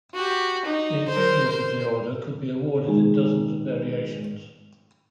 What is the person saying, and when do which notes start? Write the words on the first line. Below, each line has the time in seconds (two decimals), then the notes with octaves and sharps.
The insignias of the order could be awarded in dozens of variations.
0.14 F#4 G4
0.66 D#4
1.09 A#4 C5
1.48 C5
2.86 D#3 G#3